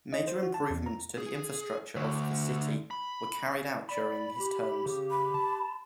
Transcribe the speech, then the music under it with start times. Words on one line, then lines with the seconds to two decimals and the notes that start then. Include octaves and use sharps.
Major improvements to the infrastructure of the city were carried out during his terms.
0.13 D#5
0.27 C5
0.43 F#4
0.54 A5
0.70 E2
0.86 A#5
1.18 G#4
1.96 D2
2.91 B5
3.89 D5 B5
4.38 G4
4.86 C#3
5.10 B5
5.34 A5